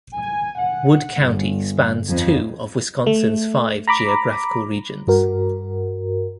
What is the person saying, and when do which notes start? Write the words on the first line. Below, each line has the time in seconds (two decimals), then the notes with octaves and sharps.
Wood County spans two of Wisconsin's five geographical regions.
0.14 G#5
0.59 F#5
1.23 G1
2.08 F2
3.06 A3
3.87 A#5 B5 D6
5.07 G2 F#4 A#4